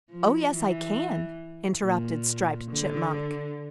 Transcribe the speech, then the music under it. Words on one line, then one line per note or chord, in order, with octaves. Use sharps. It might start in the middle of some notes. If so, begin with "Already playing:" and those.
"Oh, yes, I can," interrupted Striped Chipmunk.
F3
E3
A#2
D3